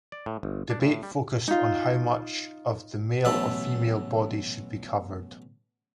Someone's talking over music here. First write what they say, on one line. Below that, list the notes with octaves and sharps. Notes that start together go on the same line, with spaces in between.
Debate focused on how much of the male or female body should be covered.
D5
A2
G1
D4
A2
G3
D#4 F4
A1 B2 F#3 A4 E5 B5